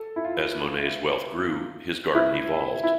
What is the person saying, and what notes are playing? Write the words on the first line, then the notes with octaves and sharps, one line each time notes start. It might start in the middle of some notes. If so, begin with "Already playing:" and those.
As Monet's wealth grew, his garden evolved.
Already playing: A4
E4
F4
E4
E4